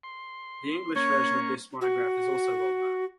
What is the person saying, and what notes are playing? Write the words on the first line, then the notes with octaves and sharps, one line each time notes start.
The English version of this monograph is also well known.
C6
A#3 C#4 C#5 C#6
F#4